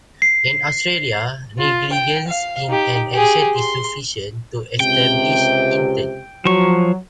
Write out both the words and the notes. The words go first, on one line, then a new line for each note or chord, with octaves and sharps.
In Australia, negligence in an action is sufficient to establish intent.
C7
F4
G5
F5
D#4 G4
G4 G#4
C6
C#2 C3 G5
F3 F#3 C#6